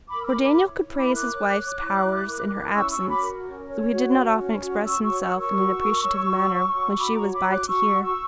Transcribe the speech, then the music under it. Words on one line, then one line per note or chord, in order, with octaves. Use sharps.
For Daniel could praise his wife's powers in her absence, though he did not often express himself in an appreciative manner when she was by to hear.
B5 D6
A#4
E6
B5 D6
E4
B5 D6
C#5
E4
B5 D6
A#4
D6 F#6
C#5
C#5
E4
E4
A#4
E4
C#4 C#6 E6
C#6 E6
F#4
B5 D6
A#4
C#4
C#5
F#4
C#4
C#4
F#4
F#4 C#6 E6
C#6 E6
C#5
C#6 E6
A#4
C#6 E6
F#4
A#4
C#5
F#4
C#5
F#4
F#4 B5 D6
A#5 C#6
C#5
B5 D6
F#4
D6 F#6
F#4 C#6 E6
F#4
C#6 E6